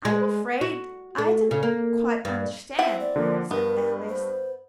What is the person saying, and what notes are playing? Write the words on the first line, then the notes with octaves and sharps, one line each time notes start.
'I'm afraid I don't quite understand,' said Alice.
G#3
F#4
A3
C#3
A#3
G2
C4 E4 E5 F#5
D5
D3 F3 A#3
G2 B3 A#4
C5